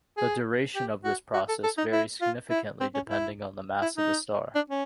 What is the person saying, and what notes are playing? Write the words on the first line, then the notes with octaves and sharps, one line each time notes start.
The duration of this process varies significantly depending on the mass of the star.
G#4
G4
F#4
F#4
A4
A4
D#4
E4
F4
E4
C4
C#4
E4
E4
D#4
D4
C#4